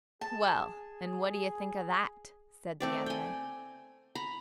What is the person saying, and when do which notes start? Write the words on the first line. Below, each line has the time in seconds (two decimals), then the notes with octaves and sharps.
"Well, and what do you think of that?" said the other.
0.21 G#4 A5
2.80 A3 C4 D5
3.06 G5 G#5
4.15 A#5 B5